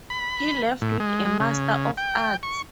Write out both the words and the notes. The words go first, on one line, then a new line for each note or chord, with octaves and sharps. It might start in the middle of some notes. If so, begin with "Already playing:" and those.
He left with a master of arts.
B5
A2
G#3
G#3
C#3
G5
C#6